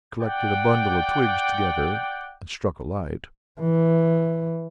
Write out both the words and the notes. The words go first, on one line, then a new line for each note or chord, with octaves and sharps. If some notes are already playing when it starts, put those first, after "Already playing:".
He collected a bundle of twigs together and struck a light.
D5 F#5 G5
E3